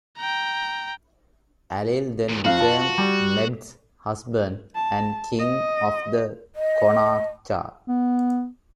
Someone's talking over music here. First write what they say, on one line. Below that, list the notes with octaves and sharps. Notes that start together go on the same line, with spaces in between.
Ailill then became Medb's husband and king of the Connachta.
G5 A#5
E2 A#2
F2 F#4 F5
F4 A5
G3
A5
D#5
D#5
B3